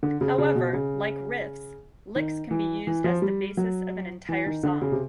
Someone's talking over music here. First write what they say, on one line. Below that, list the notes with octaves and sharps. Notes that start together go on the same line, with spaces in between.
However, like riffs, licks can be used as the basis of an entire song.
D3
C#3
C#3
B2
C#3
D#3
E3
E3
F3
G3
F#3
E3
D#3
D3
C#3
C3